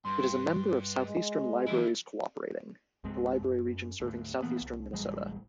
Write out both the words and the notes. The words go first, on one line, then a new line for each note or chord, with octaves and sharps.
It is a member of Southeastern Libraries Cooperating, the library region serving southeastern Minnesota.
G2 C6
G#3
E3 F#3 D4 E4 D5
C#2 G#2 G#3 C4
F#2
D2 G#2
A#2 E3 A#3 B3
C2
D1 A1 G3 G#3